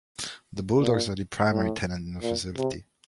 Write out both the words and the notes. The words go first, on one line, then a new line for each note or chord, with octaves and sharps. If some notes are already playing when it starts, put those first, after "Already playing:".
The Bulldogs are the primary tenant in the facility.
A#2
A2
A#2
C3